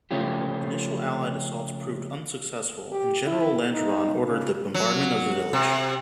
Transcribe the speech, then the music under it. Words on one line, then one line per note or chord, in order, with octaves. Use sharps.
Initial Allied assaults proved unsuccessful and General Langeron ordered the bombardment of the village.
C#3 F3 A3 C#4 F4 G4
G4
E4
D#4
C#3
F#3
C3